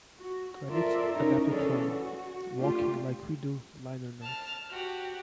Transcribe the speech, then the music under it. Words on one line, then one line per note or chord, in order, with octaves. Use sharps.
Credits adapted from "Walking Like We Do" liner notes.
F#4
F2 F4 A4 A#4 D5 E5
C#4 D#4 E4 A#4
C#3 E3 C#4 D4 G#4 A4
F#4
A3 D4 F4 G4
A5 F6
F#4 G4